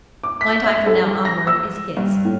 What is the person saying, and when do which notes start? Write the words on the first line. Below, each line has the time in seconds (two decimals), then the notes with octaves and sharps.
My time from now onward is his.
0.24 D6
0.41 B6
0.64 E5
0.86 A4
0.98 G3
1.25 A#6
1.47 E6
1.97 G2
2.25 A2